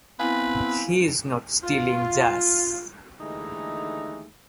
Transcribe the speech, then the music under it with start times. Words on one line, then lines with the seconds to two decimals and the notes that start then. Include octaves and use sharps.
He's not stealing jazz.
0.20 B3 C4 E4 B4 F5 G#5 B5
1.64 F4
3.20 D#2 D3 E3 G#3 A3 D#4